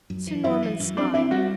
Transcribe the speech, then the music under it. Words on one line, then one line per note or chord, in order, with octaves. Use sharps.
Sir Norman smiled.
F#2
E3
F#2 E4
E3
F#2
C4 D4
C4 E4
G3 F#4